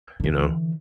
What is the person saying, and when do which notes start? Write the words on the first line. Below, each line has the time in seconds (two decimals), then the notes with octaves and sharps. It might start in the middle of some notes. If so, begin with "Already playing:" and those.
you know,
0.20 D3 E3